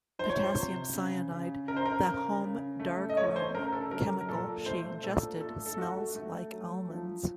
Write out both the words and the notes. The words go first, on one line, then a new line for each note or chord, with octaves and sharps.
Potassium cyanide, the home darkroom chemical she ingested, smells like almonds.
F3 C5
C#5
C5
C3
C#3
C#3
C#3 A#4
C5
A#4
C#3
C#3
A3
D#5
A3 C#5
C5
C#3 A#4
A4
F#3 A#4
A#4
A#2 A4
A3 C5
A#2 A4
A3 A4
A4
A3 F#4
A3
F#3
F3